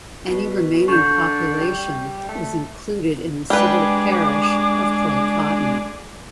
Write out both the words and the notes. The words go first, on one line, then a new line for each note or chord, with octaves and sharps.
Any remaining population is included in the civil parish of Clay Coton.
B2
D3 C#6 G6
G3
A3
G3 G#3 D4 B4 D6